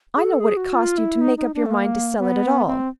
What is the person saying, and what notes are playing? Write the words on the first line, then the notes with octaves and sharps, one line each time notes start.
I know what it cost you to make up your mind to sell it at all.
G#4
A4
G#4
F#4
F4
E4
D#4
D#4
D4
A3
A#3
B3
C4